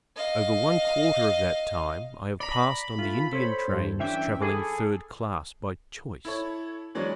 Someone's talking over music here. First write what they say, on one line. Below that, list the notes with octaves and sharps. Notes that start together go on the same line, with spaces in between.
Over one quarter of that time I have passed on the Indian trains travelling third class by choice.
D#5 F5
D5 A#5 B5
A3 F4
A4 C5 C#5
G2
E3 C#4 D4 E5 G5
G#4 A4 G#5 B5 D6
E4 A4 C#5
E3 F#3 G#3 C#4 D4